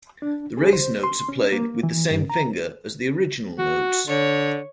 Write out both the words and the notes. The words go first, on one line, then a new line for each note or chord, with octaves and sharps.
The raised notes are played with the same finger as the original notes.
D4
G#4
C5
C6
C#4
A#3
E3
G2
A#5
F#4
D3 C#5